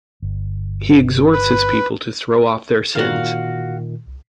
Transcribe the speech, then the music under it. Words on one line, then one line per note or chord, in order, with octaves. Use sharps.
He exhorts his people to throw off their sins.
G1
B4
A#2 D#3 F#4 F5